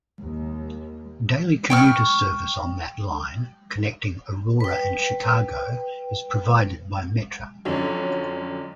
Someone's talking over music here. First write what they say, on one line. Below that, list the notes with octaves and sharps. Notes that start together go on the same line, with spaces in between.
Daily commuter service on that line, connecting Aurora and Chicago, is provided by Metra.
D#2
G5 C#6 F6
B4 G5
F2 D3 F#3 C#4 D4